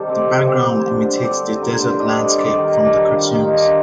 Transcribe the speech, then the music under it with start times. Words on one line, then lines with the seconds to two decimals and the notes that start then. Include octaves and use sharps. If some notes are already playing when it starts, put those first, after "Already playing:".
The background imitates the desert landscape from the cartoons.
Already playing: C3 D#3 G3 A4 C5
0.08 C4 G4
0.28 C3
0.47 C4 G4
0.66 G3
0.85 D3
1.04 D3
1.18 G4
1.23 C4 A4
1.42 G3
1.61 D3 A#4
1.80 D3 C5
1.99 D4 D#5
2.20 G3
2.38 D#3 D5
2.58 D#3
2.64 A#4
2.77 D4 D#4
2.95 G3 D4
3.15 D#3 F4
3.34 D#3 D#4
3.54 D4 F4